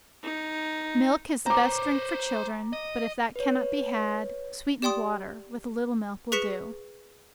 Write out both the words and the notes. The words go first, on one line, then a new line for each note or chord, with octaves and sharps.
Milk is the best drink for children, but if that cannot be had, sweetened water, with a little milk, will do.
D#4
C5 C#5 A#5 D6
D#5
B4 C#5
G4 D5 G5 C6 D#6
G#4 B4 C#6 B6 C#7 E7